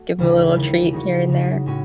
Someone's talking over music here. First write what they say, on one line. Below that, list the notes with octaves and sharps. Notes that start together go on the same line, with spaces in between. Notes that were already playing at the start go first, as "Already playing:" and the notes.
Give him a little treat here and there.
Already playing: A3 F#4
D#2 C#3 E3 G#3
D#2 C#3 E3 G#3
C#3 G#3 D#4 F#4
C#3 G#3 D#4 F#4
A2 G#3 C#4 F#4